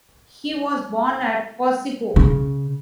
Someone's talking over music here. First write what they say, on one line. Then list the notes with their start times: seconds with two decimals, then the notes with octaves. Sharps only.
He was born at Corsico.
2.16 C#3